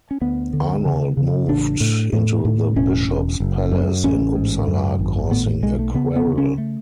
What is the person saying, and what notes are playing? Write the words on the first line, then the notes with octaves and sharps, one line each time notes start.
Arnold moved into the bishop's palace in Uppsala causing a quarrel.
C#4
D2 B3
D3
C#3
C#3
A1 D4
A2
A2
A2
E1 C#4
E1
F#1
F#2
A1 C#4
G#2
F#2
G#1
A2 B3
B1 G#3
A3
C#3 B3
B3
C#3
C#4
A3